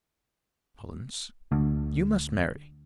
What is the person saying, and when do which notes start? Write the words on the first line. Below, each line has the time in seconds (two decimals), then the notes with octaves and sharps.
Collins, you must marry.
1.52 D2